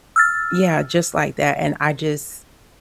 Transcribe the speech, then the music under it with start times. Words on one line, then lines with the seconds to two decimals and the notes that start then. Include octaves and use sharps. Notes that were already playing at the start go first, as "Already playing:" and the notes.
yeah, just like that, and I just
0.16 E6 F6 A6